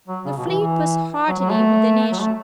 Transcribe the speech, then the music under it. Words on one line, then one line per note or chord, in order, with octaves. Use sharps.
The fleet was heartily with the nation.
F#3
C#3
B2
E3
E3
F#3
F#3
A3
F#3
A3